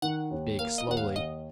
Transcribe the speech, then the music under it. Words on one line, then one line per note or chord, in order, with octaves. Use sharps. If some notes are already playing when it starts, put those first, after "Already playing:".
Bake slowly.
D#3 F#5
D#2
A#3 F5
D#5
D#2 F#5
F5
D#2 D#5